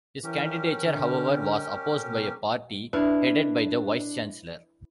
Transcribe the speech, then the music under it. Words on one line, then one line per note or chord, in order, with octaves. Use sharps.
His candidature, however, was opposed by a party headed by the vice-chancellor.
E3 C#4 G4 A#4
D3
B2
D4 E4 B4 F5